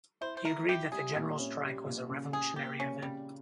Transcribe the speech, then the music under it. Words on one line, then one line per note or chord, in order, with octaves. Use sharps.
He agreed that the general strike was a revolutionary event.
E4 C5
C5
E4 A#4
E4 G4
G3 G#4
A#2
C#4
G3
A#2
C#3
C#3 G#4
A#3 G4
C#3 C#4
C#3 G3